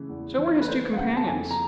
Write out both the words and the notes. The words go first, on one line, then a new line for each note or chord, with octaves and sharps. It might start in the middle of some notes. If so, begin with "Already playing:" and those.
So were his two companions.
Already playing: C#3 E3 A3
E2
E3
B4
A3 C5
F5
C#3 F#5
A5
F2 G#5
A#5